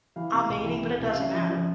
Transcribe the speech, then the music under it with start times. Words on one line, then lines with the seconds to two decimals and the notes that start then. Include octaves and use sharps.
I'm meeting, but it doesn't matter.
0.16 E3 F5
0.31 C3 F5
0.50 C2
0.66 E3
0.83 E3
1.00 C2
1.09 F5
1.17 C#3 E5
1.34 F3
1.50 F3